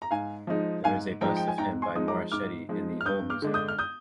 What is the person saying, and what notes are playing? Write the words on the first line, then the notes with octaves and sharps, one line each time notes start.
There is a bust of him by Morochetti in the Hull museum.
A#5
G#2 F5 G#5
F3 G#3 D#4
G#2 F5 G#5
F3 G#3 D#4 G5 A#5
G5
G#5
G#2 G5 A#5
G#5 C6
F3 G#3 D#4 D#6
A#5 D6
G#2 D6 F6
F3 G#3 D#4
F6
G2 D#6 G6
D6 F6
D3 G#3 D4
D#6 G6
F6
D#6 G6